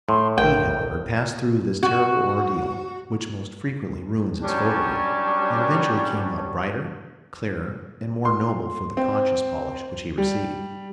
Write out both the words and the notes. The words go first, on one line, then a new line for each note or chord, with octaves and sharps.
He, however, passed through this terrible ordeal, which most frequently ruins its votary, and eventually came out brighter, clearer and more noble for the conscience-polish which he received.
A2 C6
A#1 A#4 G5
F#4
F#2 G3 C#4 D4 C#5 A5
C6
C4
G3